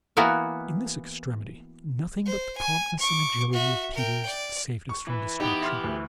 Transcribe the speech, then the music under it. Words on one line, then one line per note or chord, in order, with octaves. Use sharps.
In this extremity nothing but the promptness and agility of Peters saved us from destruction.
E3 A#3 B3 E4 F#4 F5
C5
G#5
C#6 D6
F#4 E5
A#4 G5
D5
C#6
E3 B4
B3 D#4 G4
E5 C6 F6
D2